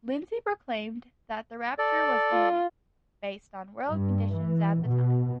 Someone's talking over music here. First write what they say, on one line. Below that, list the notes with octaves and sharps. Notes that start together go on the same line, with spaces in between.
Lindsey proclaimed that the rapture was imminent, based on world conditions at the time.
A4 D5
F4
G2
E3
B2